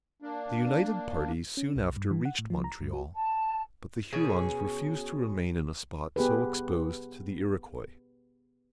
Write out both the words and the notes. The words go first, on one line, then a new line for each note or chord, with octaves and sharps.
The united parties soon after reached Montreal; but the Hurons refused to remain in a spot so exposed to the Iroquois.
A#3 D4
C#4
B1
G2
E3
F#5
A2
F3
A#5
G2
F#4
A5
B2 C#4 G#4
B3 G4 G#4 B4